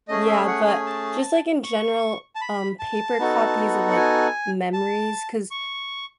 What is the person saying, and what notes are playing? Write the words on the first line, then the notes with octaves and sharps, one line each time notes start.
Yeah, but, just, like, in general, um, paper copies of, like, memories, 'cause
A3 C#4 G#4 D#5
E5
F#5
G#5
A5
C#6
A5
B5
A5
B3 D#4 F#4 A4
F#5
G#5
A5
C#6